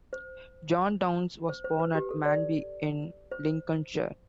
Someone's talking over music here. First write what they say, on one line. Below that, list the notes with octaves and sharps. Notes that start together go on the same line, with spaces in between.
John Downes was born at Manby in Lincolnshire.
C5
C5
C5
B4
G4
A4
D5
C5